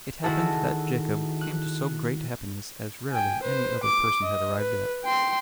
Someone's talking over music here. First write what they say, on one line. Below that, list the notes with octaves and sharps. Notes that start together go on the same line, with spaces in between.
It happened that Jacob came to so great happiness as rarely any other person had arrived at.
D#3 E4 F#4 G#4 A4
F#6
G5 G#5
B4 C5
D6
D#5
B4
G5 C6